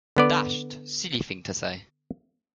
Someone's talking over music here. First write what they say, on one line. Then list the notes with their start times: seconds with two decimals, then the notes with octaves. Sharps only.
Dashed silly thing to say.
0.16 D3 B3 D5